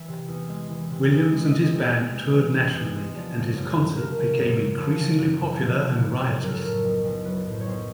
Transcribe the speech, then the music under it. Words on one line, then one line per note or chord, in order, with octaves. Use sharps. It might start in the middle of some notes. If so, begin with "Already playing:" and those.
Williams and his band toured nationally, and his concerts became increasingly popular and riotous.
Already playing: E3 E5
C3
E2
G#3
E3
C3
E2
G#3
E5
E3 D#5
C3
E2
G#3
E3
C3
E2
G#3
F3 D5
C#3
F#2
F#2
F3 A#4
C#3
F#2
F#2
F3
C#3
F#2
F#2
F3
C#3
F#2
F#2
F#3 A#4
A4
A2 A#4
B1
B1
F#3 B4
A2
C5
C#5
B1 C5